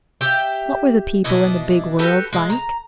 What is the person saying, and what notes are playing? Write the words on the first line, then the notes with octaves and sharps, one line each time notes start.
What were the people in the big world like?
G4 E5 G5
B2 D4 E4 D#5
F#4 G4 A4 B4
G#3
A#5